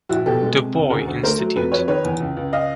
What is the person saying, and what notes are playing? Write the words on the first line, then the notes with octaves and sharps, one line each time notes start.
Du Bois Institute.
A#1 E4 F#4
B2 G4 A4
G#3
C3
C#2
D2 G#4 A#4
D2
A3 A#4 C5
F#3
F2 A4 B4
F2 B4 C#5
D#3 B4 C#5
E2
C#2
C#2
D#5 F5